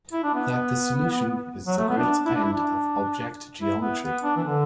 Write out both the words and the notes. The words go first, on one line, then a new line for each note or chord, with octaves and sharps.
That the solution is the great end and object of geometry.
E4
D4
B3
F#3
A3
B3
D4
E4
D4
E4
D4
E4
B3
B3
D4
E3
D3